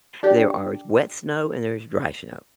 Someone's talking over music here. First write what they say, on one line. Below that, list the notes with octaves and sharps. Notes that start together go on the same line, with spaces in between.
There are s wet snow, and there's dry snow.
D4 G4